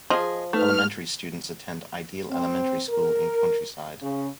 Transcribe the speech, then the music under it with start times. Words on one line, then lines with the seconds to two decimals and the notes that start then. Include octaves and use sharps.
Elementary students attend Ideal Elementary School in Countryside.
0.10 F3 G#4 D#5
0.53 A3 D#4 B4 F6
2.30 C4
2.89 A#4
4.01 C#3